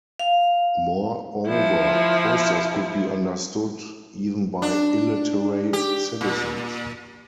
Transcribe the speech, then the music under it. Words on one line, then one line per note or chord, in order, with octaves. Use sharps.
Moreover, posters could be understood even by illiterate citizens.
F5
F3 E4
D4
G4
A#2